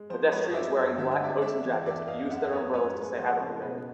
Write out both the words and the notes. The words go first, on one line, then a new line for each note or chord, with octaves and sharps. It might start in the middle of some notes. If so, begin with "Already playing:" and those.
Pedestrians wearing black coats and jackets, use their umbrellas to stay out of the rain.
Already playing: G#3
F3 C5
G#3 B4 C#5
D#5
F#3 D5 E5
G2
D3 E5
D#5
G#3 D5 E5
G#3 D5 E5
E3
E2 D5 E5
E2 D#5 F5
F#2 E5 F#5
F#2 B4 C#5
A2 B4 C#5
G#3
F3 C5
C#3
B2 B4